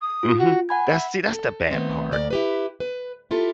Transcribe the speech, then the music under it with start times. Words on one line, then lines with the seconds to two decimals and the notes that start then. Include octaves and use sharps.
Mhm, that's see, that's the bad part.
0.01 D#6
0.23 F4
0.38 F#4
0.69 F#5 G#5 B5 G#6
0.87 E5
1.33 A4
1.70 D#3 A3 B3 C4 D#4
2.11 D2 A#3 D5
2.31 E4 G4 B4
2.80 B4
3.31 E4 F4 G4 A4